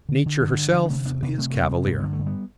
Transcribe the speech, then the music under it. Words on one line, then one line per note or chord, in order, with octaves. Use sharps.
Nature herself is cavalier.
D3
D3
D3
G2
D3
D4
C3 A3 C4
E2 B3 D4
C3 B3 D4
C3 A3 C4
C3 A3
G3 B3
C3
G2 C4
D3 B3
A3
G2
G3 B3